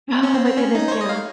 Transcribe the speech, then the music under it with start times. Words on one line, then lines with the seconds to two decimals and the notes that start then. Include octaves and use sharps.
Oh my goodness, yeah.
0.23 C#4
0.34 C4
0.46 C4
0.57 C#4
0.75 D#4
0.88 C5
0.92 C#5
1.01 D#5
1.09 F5